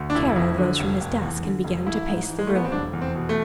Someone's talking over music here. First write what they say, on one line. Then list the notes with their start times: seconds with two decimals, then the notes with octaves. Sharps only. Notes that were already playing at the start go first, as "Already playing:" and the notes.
Kara rose from his desk and began to pace the room.
Already playing: D2
0.10 D4
0.15 F1 E4
0.36 F2
0.58 D3
0.79 F1
1.01 F1
1.22 E2
1.44 D3
1.64 F1
1.86 A1 E4
2.08 G#2
2.29 E3
2.39 G#3
2.47 A1 A3
2.55 B3
2.64 C4
2.72 F1 D4
2.93 E2
3.01 C4
3.15 B2
3.29 A3